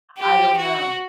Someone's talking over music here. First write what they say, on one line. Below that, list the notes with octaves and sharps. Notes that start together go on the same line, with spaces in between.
I don't know.
G4
F#4